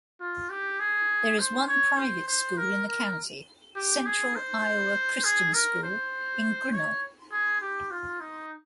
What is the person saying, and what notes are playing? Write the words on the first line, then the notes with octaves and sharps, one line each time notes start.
There is one private school in the county, Central Iowa Christian School, in Grinnell.
F4
G4
G#4
C5
C#5
C5
C5
A#4
A#4
G4
G#4
C5
G#4
A#4
C5
C#5
G#4
G4
F4
D#4